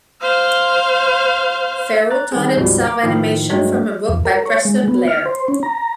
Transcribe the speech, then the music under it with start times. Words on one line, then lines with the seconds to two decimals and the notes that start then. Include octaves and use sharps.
Ferro taught himself animation from a book by Preston Blair.
0.22 C5 F5
2.11 A#5 F#6 A6
2.32 D#3 G3 C4 G#4
2.57 D2 G#2 B2 F3 G3
2.85 A#5 D6
3.03 A2 D#3 F3
3.49 G2 F#3 G#3 A3
4.09 F2
4.25 A#4
4.46 C#5
4.65 G#3
4.88 B3
5.08 F6
5.26 C5
5.48 C#4
5.63 A#5